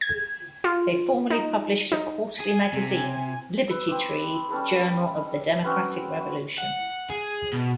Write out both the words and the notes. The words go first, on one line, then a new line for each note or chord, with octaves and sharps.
They formerly published a quarterly magazine, Liberty Tree: Journal of the Democratic Revolution.
G#6
F4
D#4
D#4
G#4 G#5
C3
B4 E6
C4 B4 D6 D#6
G3 C#4 A4 B4
C4 C#4 F#4 B4
F#5 C#6
F#5
G#4
B2